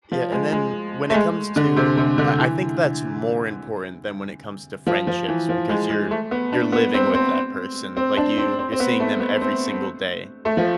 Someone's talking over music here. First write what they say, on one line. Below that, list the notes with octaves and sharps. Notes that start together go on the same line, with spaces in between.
Yeah, and then when it comes to I I think that's more important than when it comes to friendships because you're you're living with that person. Like, you you're seeing them every single day.
F3
G#3
G#3
A3
G#3
D3
C3
C3
D3
E3
F3
F3
E3
F3
G#3
G#3
A3
B3
D4
B3
C4
C4
C4
D4
C4
C4
C4
B3
A3
B3
C4
A3
F3